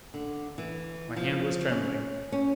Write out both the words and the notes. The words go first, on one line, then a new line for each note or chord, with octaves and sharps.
My hand was trembling.
D3
E3
F3
C#4
C#4